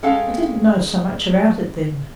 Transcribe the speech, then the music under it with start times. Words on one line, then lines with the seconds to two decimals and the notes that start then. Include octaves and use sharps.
I didn't know so much about it then.
0.03 G#3 C#4 A4 F5 G5